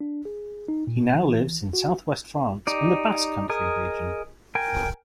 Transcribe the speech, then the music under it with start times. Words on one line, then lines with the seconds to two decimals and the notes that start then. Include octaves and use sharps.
He now lives in South-West France in the Basque Country region.
0.01 D4
0.25 G#4
0.68 D#4
0.87 A#2
1.14 E3
1.73 F#4
2.67 D#4 G4 D5
3.50 G#4 A#4 D#5
4.55 A#4 G5 G#5